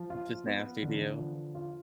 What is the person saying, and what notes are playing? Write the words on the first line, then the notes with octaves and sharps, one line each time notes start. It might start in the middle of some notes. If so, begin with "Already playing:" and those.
Just nasty to
Already playing: F3
F4
B3
D3
F3
F4